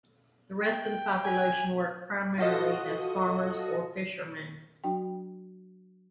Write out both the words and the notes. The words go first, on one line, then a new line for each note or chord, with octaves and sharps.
The rest of the population work primarily as farmers or fishermen.
G5
G#5
F4 F#4 A4 D#5
F#3 D4 F#4 G5